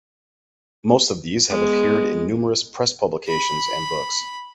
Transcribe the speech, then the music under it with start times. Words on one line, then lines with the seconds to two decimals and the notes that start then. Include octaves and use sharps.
Most of these have appeared in numerous press publications and books.
1.50 G#3 B3
3.27 B5